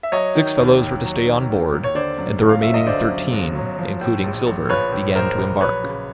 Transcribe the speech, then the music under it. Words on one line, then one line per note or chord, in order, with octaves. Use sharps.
Six fellows were to stay on board, and the remaining thirteen, including Silver, began to embark.
E5
F#3 C#5 D#5
D#3
D#2
D#2
F#3
D#3
D#2
D#2
C#5
D3 C5 D5
F#2
G1
F5
F#3 E5
D#5
D3 C5 D5
F#2
G1
F#3
F3
A2
A#1
A#1
F3 B4 C#5
A2
A#1 A#4 C5
A#1
F#3 B4 C#5
C#3